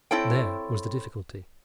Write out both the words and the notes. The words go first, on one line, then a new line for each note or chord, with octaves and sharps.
There was the difficulty.
C4 E4 A4 C#5 G5